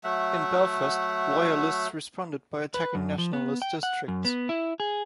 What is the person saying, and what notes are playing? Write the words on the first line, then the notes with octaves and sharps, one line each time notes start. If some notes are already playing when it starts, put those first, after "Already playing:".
In Belfast, loyalists responded by attacking nationalist districts.
F#3 A3 E5 F#5
B4
F#2
F3
B3
G5
F#5
F#2
B3
E4
G#4